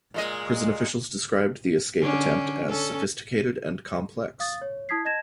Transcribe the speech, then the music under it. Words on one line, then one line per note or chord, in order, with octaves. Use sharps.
Prison officials described the escape attempt as sophisticated and complex.
A#2 G#3 D#5
D3 C#4 D4
C#4 A4
F5 D#6 A6
C#5
E4 A5 D#6 G#6 B6 C7
D#5 A5 G#6 A#6 E7